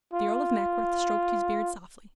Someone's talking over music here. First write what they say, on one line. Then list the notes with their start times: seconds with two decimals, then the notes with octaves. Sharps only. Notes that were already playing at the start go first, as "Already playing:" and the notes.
The Earl of Mackworth stroked his beard softly.
0.13 F4